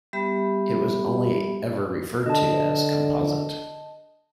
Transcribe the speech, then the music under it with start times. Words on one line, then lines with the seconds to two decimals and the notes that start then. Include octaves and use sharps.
It was only ever referred to as "Composite".
0.13 G3 B3 G4 E5 B5
2.26 D3 D#5 A5